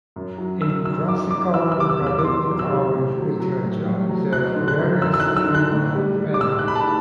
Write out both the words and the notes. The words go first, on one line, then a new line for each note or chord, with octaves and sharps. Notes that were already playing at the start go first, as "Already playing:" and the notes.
In classical Rabbinical literature, there are various views of Enoch.
F#2
F#3
F#3 E6
F#2 E6
F#2 D6
F#3 D6
F#3 E6
E6
C3 D6
E6
E2
E6
D6
E2 C6
F#3
E6
C3
A2
F#3
F#3
A2
A2
F#3
F#3 F#6
D3
F#6
F#2
F#2 E6
E6
F#6
F#3
E6
D3
F#6
A2
G3
G3
D6
A2 E6
F#6
A2 B5
A5